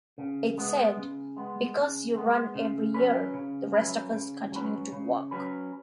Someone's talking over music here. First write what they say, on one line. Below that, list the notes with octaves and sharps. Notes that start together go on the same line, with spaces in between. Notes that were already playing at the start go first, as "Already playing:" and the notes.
It said 'Because you run every year, the rest of us continue to walk.
C#3
G#3 B3
C#3
G#3 B3
C#3
G#3 B3
C#3
F#3 C#4 B4
C#3
F#3 C#4 B4
C#3
F#3 C#4 B4
C#3
F#3 C#4 B4